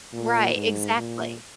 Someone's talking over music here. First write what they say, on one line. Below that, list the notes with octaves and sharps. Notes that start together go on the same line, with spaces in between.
Right, exactly.
A#2
G#2
A#2